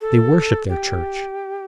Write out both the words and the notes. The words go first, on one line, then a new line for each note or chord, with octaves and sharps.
They worship their church.
A4
G4